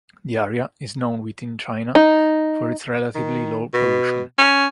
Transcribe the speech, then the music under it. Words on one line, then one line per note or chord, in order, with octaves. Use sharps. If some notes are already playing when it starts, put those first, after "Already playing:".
The area is known within China for its relatively low pollution.
D#4
D#3
B2
C#4